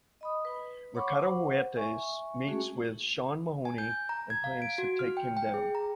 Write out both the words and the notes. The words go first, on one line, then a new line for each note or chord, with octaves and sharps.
Ricardo Huertas meets with Sean Mahoney and plans to take him down.
D#5 B5 D#6
B4
C#5 F#5 B5 C#6 D6
C5 F#5
E5 G#5 C#6
G#3 A3 C#4 F#4 G#4
G#5
G6
A#5
G#6
F5
D7
F#4
F6
G5
G5
G#4
A#5